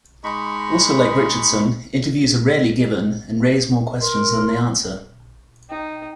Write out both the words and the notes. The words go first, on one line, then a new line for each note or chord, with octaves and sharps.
Also like Richardson, interviews are rarely given and raise more questions than they answer.
G#3 D#4 B5 C#6
A#4 C6
D#4 G5